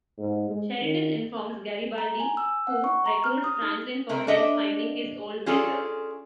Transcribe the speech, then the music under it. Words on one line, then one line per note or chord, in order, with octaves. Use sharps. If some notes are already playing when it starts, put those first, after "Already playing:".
Sheridan informs Garibaldi who recruits Franklin for help finding his old mentor.
G#2
G#3
D#3
A#5
G#5
E6
F#5
C#6
A#5
F6
D#6
D#4
C3 A3 A#4
D4 D#5 E5
C#4 F4 G#4 A4 D5